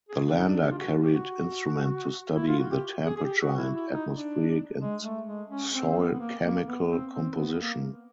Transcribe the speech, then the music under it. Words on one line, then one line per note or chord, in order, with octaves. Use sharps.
The lander carried instruments to study the temperature and atmospheric and soil chemical composition.
G#4
D4
D#4
D4
G4
F4
F#4
G4
F#4
E4
F4
F#4
G4
G#4
G#4
G4
F#4
E4
E4
D#4
D4
G#3
A3
G#3
C#4
C4
C4
B3
B3
A#3
A#3
B3
C4
C4
B3
B3
A#3